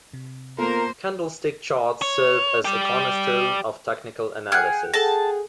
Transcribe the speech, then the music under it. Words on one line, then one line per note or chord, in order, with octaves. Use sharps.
Candlestick charts serve as a cornerstone of technical analysis.
C3
A#3 B3 F4 A4 A#4 C5
C#5
G4 D5
G#4 F#5 G5 F6 F#6
G#4 A4 A5 A#6